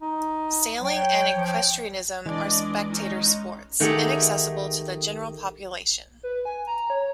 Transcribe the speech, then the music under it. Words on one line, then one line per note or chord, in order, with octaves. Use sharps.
Sailing and equestrianism are spectator sports, inaccessible to the general population.
D#4
F#3 C#5 G5
F3
E3 G#3 D4 D5 D#5
C#4 D#4
D#3 A3 G4 G#4 E5 F#5
B4
G#5
A#5
C#5